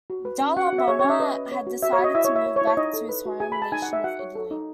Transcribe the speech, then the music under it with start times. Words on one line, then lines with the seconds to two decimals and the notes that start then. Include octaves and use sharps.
Dalla Bona had decided to move back to his home nation of Italy.
0.10 F#4
0.25 B4
0.41 C#4
0.57 F#4 F#5
0.67 F#5
0.73 F#4
0.78 E5
0.88 G#4 C#5
0.99 C#5
1.05 C#4
1.10 E5
1.20 B4 D#5
1.36 B4
1.52 C#5
1.67 F#4
1.82 F#4 E5
1.93 C#5
1.99 F#4
2.04 D#5
2.15 E4 E5
2.25 C#5
2.30 E4
2.36 E5
2.46 C#5
2.56 C#5
2.62 E4
2.67 C#5
2.77 D#4 D#5
2.94 A4
3.09 B4
3.26 F#4
3.40 G#4 G#5
3.52 B5
3.56 G#4
3.62 A5
3.72 D#4 G#5
3.82 F#5
3.89 D#4 E5
4.04 F#4 F#5
4.19 C#5
4.35 A4
4.51 D#4